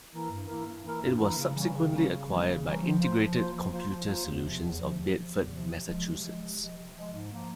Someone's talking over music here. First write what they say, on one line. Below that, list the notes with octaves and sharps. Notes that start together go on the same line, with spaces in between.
It was subsequently acquired by Integrated Computer Solutions of Bedford, Massachusetts.
E3 A#3 E4 A#4
G2
E3 A#3 E4 A#4
G2
E3 A#3 E4 A#4
G2
E3 A#3 E4 A#4
C#3
E3 G3 A#3 C#4
C#3
E3 G3 A#3 C#4
C#3
E3 G3 A#3 C#4
C#3
E3 G3 A#3 C#4
F3
A#3 F4 C5
F3
A#3 F4 C5
F3
A#3 F4 C5
F3
A#3 F4 C5
E2
C3 F3
E2
C3 F3
E2
C3 F3
E2
C3 F3
C3
F3 G#3
C3
F3 G#3
C3
F3 G#3
C3
F3 G#3
G#2
F3 A#3